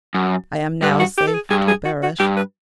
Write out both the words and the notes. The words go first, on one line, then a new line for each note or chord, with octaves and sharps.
I am now safe to perish.
F#2
G2 B4
F#4
G4
A4
G#4
G2 G#4
G#4
F#4
F#4
G2 G4
B4